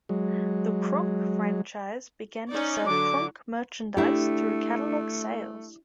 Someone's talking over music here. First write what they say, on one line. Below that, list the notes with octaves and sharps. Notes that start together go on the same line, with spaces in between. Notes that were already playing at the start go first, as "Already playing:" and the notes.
The Kronk "franchise" began to sell Kronk merchandise through catalog sales.
F#3 G#3
C#4 D#4 D5
D3 F#3 D6
A3 D4 E4 G4